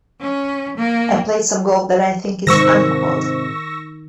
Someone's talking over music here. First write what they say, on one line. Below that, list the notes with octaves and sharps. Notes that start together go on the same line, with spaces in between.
I played some golf that I think is unequaled.
C#4
A#3
G#2 C3 D#3 C#6 E6 A#6